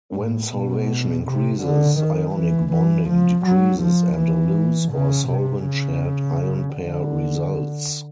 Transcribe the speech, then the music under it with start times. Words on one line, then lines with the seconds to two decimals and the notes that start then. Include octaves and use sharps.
When solvation increases, ionic bonding decreases and a "loose" or "solvent-shared" ion pair results.
0.16 A2
0.53 B2
1.26 C3
1.63 D3
1.99 D#3
2.36 E3
2.73 E3
3.09 F3
3.46 F#3
3.82 F3
4.18 E3
4.92 C#3
5.28 C3
5.65 C#3
6.75 D3